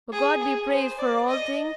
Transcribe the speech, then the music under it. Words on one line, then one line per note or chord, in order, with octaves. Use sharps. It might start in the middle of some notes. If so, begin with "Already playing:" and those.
But God be praised for all things!
G#4
G#4
C5
D5
D#5